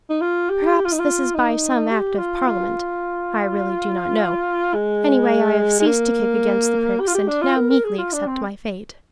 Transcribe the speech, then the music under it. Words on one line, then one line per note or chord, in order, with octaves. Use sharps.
Perhaps this is by some Act of Parliament--I really do not know; anyway, I have ceased to kick against the pricks and now meekly accept my fate.
D#4
F4
G4
G4
F4
D#4
F4
D#4
G4
F4
F4
G#3
G#3
A#3
G4
F4
G4
D4
F4
A#4
A#4
G#4
F4
D4
C4